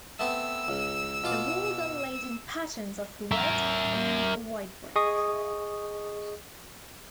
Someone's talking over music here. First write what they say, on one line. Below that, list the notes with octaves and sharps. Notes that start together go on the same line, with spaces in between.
The walls are laid in patterns of red and white brick.
A3 B3 C4 E6
C#2
B2 F4 D6
A#4 E5
G#4 D#5 C#6 D#6